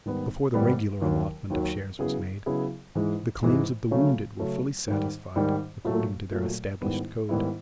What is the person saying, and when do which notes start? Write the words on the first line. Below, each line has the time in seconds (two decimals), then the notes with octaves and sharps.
Before the regular allotment of shares was made, the claims of the wounded were fully satisfied according to their established code.
0.06 G#2 D#3 G3 B3
0.54 G#2 D#3 G3 B3
1.01 D#2 D#3 F#3
1.50 D#2 D#3 F#3
1.99 C#3 F#3 B3 E4 G#4
2.46 C#3 F#3 B3 E4 G#4
2.95 G#2 E3 G#3
3.43 G#2 E3 G#3
3.91 C#3 F#3 A3 C#4
4.40 C#3 F#3 A3 C#4
4.88 G#2 D#3 G3
5.36 G#2 D#3 G3
5.85 A#2 F#3 A3
6.32 A#2 F#3 A3
6.81 G#2 D#3 G3 B3 E4
7.29 G#2 D#3 G3 B3 E4